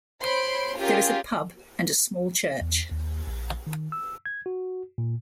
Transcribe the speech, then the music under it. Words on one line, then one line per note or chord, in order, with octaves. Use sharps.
There is a pub and a small church.
C5 C#5 B5 C6 D7
C#4 F4 G4 G#4 A#4
E2
D#2
A#1
D#3
E6
G#6
F#4
A#2